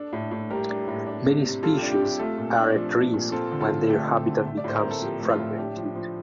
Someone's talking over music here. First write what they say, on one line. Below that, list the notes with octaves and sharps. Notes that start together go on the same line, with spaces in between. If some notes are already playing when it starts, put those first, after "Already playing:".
Many species are at risk when their habitat becomes fragmented.
Already playing: D4 A4
A2
A2
G3 G4 A#4
D4
A2
D4
C3
C3
G3 F4 A4
D4 G4
G4
C3
G4
A3 F4 A4
A#2
D4
F3
A3
A#2
C4 F4 A4
D3
F4 A4
D3
A3 G4
C4
D3
A3
D5
A2 C5
C4 A#4
A4
F3 G4
A3
F4
A2
D4 G4
F3
F3